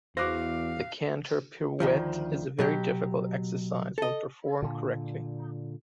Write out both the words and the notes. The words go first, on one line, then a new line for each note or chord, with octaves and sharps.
The canter pirouette is a very difficult exercise when performed correctly.
E2 F#4 C5 F5 D6 F#6 A#6
D2 D#3 F3
B2 F#3 G4
A4 D#5
A#2 D3